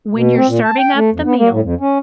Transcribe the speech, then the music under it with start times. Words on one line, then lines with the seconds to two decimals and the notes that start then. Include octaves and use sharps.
when you're serving up the meal,
0.14 B2
0.37 C4
0.48 A#2
0.64 A5
0.78 G5
0.96 A3
1.13 F2
1.26 B3
1.39 A#3
1.51 A2
1.63 F2
1.80 C#4